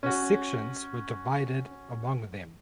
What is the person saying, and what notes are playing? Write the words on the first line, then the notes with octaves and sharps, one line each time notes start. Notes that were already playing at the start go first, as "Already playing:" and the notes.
The sections were divided among them.
C#4 F#4